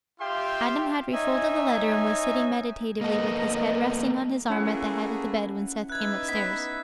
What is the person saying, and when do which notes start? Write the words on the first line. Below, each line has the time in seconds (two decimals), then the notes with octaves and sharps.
Adam had refolded the letter, and was sitting meditatively with his head resting on his arm at the head of the bed, when Seth came upstairs.
0.19 F4 G4 E5 F5 G5 C6
1.13 C#4 D#4 E5 G#5
3.01 A#3 B3 A4 A#4 D#5
4.50 A3 A#3 C#4 E4 G#4 F#5
5.89 D#4 B4 E5 F#6 G#6
6.28 B3 B6